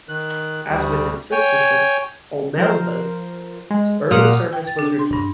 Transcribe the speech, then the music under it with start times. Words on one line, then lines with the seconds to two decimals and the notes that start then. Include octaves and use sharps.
As with its sister ships, "Olmeda's" early service was routine.
0.09 D#3 F#6
0.70 D2 G3
1.32 C#5 G5 G#5
2.58 F3 A#4 C5
3.70 G#3
4.11 A#2 F#5 D#6 F6
4.53 G5
4.67 A6
4.79 D4
4.99 C6
5.13 G2